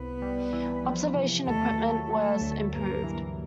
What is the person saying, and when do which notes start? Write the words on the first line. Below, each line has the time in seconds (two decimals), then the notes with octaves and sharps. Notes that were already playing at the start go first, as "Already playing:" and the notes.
Observation equipment was improved.
Already playing: C2 B3 B4
0.22 G3
0.53 E3
0.85 F3
1.15 C3
1.47 D#2 A3 A4
1.79 F#3
2.10 F#3 A3 A4
2.41 D2
2.72 G2 A#3 A#4
3.04 E3